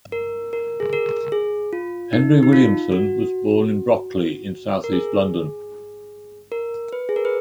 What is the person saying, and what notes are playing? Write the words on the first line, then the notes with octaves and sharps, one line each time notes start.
Henry Williamson was born in Brockley in south east London.
A#4
A#4
G#4
A#4
G#4
F4
D#4
D#4
F4
F#4
A#4
G#4
A#4
B4
G#4
A#4
B4